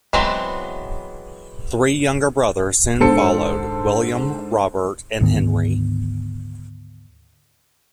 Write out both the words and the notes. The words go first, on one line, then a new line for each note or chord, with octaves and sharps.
Three younger brothers soon followed: William, Robert, and Henry.
E3 F#3 G#3 B3 C4
G#2 D3 A4 C5 A5 C#7
D2 G#2 D#3 B3